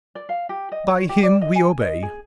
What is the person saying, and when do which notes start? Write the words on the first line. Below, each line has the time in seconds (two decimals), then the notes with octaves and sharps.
"By him we obey."
0.15 D5
0.29 F5
0.49 G4
0.72 D#5
0.88 C#5
1.09 G4
1.23 D5
1.41 D#5
1.56 G#5
1.81 D#5
2.02 G#4